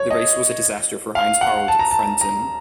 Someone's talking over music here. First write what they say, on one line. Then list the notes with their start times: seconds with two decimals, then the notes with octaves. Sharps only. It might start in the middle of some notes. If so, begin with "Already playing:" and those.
The race was a disaster for Heinz-Harald Frentzen.
Already playing: C#5
0.10 D#5
1.15 F5
1.41 F#5
1.68 A5
1.79 A#5
1.91 A5
2.21 A#5